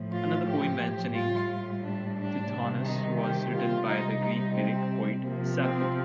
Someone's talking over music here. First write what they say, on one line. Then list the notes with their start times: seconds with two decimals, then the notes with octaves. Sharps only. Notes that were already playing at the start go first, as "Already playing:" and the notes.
Another poem mentioning Tithonus was written by the Greek lyric poet Sappho.
Already playing: A2 F3
0.11 F4
0.45 G4
1.13 A2 G3 F4
1.82 D4
2.16 D4
2.50 C3 D#3 G3
2.84 D#4
3.18 G4
3.52 F4
3.86 C3 G3 D#4
4.21 D#4
4.54 C4
5.23 C3 F3 A#3
5.56 C4